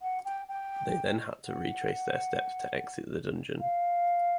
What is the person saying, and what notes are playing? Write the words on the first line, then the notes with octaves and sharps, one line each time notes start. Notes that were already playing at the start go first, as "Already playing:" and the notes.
They then had to retrace their steps to exit the dungeon.
F#5
G5
G5
F#5
F5